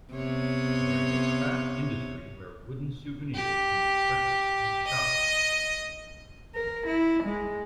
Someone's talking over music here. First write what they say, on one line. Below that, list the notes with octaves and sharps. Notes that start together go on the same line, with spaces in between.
There is a craft industry where wooden souvenirs can be purchased in shops.
C3 B3 C#5
G4
D#5
A#4
E4
G#3